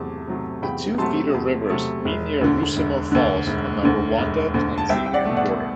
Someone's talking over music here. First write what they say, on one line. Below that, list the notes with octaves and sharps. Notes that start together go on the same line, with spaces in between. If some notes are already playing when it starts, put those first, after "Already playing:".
The two feeder rivers meet near Rusumo Falls on the Rwanda-Tanzania border.
Already playing: E2 C3 F#3 A3 A5 D6
C3 F#3 A3
E2 G5 B5
C3 F#3 A3 A5 C6
E2
C3 F#3 A3
E1
D2 D3
E1
D2 D3
E1
D2 D3
E1
D2 D3
A5
C2 E5 G5
G5
D5 F#5
B2 A3
D5 F#5